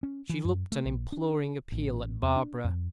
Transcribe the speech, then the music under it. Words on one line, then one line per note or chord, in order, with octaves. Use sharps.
She looked an imploring appeal at Barbara.
C#4
E3
F#2
A3
A#1
D4
A1
E2
D4
F2